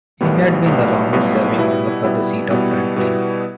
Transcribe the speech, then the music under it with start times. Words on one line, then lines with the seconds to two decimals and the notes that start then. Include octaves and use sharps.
He had been the longest serving member for the seat of Franklin.
0.21 B1 A2 G3 B3
0.66 B1 A2 G3 B3
1.12 B1 A2 G3 B3
1.58 B2 G3 B3 E4
2.04 B2 G3 B3 E4
2.50 B2 G3 B3 E4
2.96 B2 G3 B3 E4